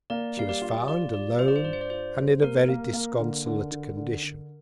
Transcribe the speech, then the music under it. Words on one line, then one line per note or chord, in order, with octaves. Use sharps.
She was found alone, and in a very disconsolate Condition.
A#3 D5
G3 F5
D5
F4
F4 D5
G3 D5
F4 C5
D5
C5
G2 D5
C5
D5
F4 C5
G3
A#3 A#4
A#3
A#3
D3
D3
D3
D3
D3